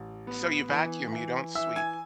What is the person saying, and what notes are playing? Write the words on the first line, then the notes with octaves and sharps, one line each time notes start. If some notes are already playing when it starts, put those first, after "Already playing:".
So you vacuum, you don't sweep.
Already playing: A1
B3
E3
E3
E3 E5 E6
G#5 G#6